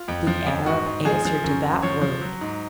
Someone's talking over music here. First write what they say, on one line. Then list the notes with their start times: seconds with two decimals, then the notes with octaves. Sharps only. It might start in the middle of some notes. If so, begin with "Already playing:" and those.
The Arab answered to that word.
Already playing: F4
0.08 F2
0.27 F3
0.46 F2
0.66 G#2 F#4
0.86 G#2
1.05 F3 G#4
1.25 F3
1.44 F#2
1.63 F#2
1.82 F3 C#5
2.01 F3
2.21 F#3
2.41 G#2